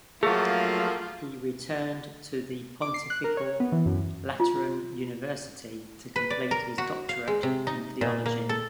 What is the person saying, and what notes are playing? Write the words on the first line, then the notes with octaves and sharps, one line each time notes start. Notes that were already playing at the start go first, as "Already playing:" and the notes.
He returned to the Pontifical Lateran University to complete his doctorate in theology.
F3 F#3 A3 A#3 F4 G#4
D6
C7
F#6
A#4
C#5
B3
E3
F#2
F4
B4
D5
A#4
F#4
F5
G#3
C3
D#4
A#2
A#3
A4